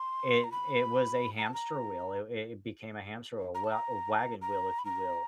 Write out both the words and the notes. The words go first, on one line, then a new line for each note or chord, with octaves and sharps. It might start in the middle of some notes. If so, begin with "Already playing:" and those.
it it was a hamster wheel. It it became a hamster wheel, a wa a wagon wheel, if you will,
Already playing: C6
A#5
B5
A#5
A5
A#5
A#5
A5
A#5
A#5
B5
A#5